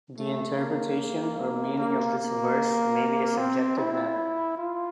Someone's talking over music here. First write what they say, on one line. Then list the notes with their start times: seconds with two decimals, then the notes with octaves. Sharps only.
The interpretation or meaning of this verse may be a subjective matter.
0.18 A3
0.58 A#3
1.38 A#3
1.78 A#3
2.18 A#3
3.38 C4
3.78 E4
4.58 F4